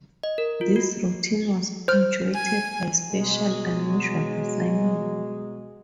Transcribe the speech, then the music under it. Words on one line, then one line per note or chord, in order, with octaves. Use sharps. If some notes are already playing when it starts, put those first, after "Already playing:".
This routine was punctuated by special unusual assignments.
D#5
A#4
F4
F#4
C5 F6
G#5
B2 F#3 G#3